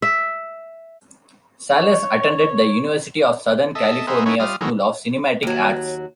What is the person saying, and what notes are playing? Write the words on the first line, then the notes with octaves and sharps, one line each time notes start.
Salles attended the University of Southern California School of Cinematic Arts.
E5
C#5
A4 D#5 E5
B3 G#4 A#4 C5 D#5 E5
A3 B3 C#4 D#4 E4 C#5
G3 F4 D#6 F6
D#3 E3 F#3 G#3 A3 A#4
D#2 F#3